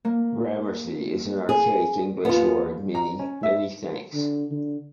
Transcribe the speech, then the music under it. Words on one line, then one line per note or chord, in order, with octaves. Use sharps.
"Gramercy" is an archaic English word meaning "many thanks".
A#3
G#4
D#2 B3 F4
A#5
C#4
E5
D3
D3